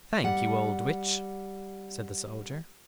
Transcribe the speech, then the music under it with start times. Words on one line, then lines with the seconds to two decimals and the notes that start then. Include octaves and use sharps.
"Thank you, old witch," said the soldier.
0.24 G3 F#5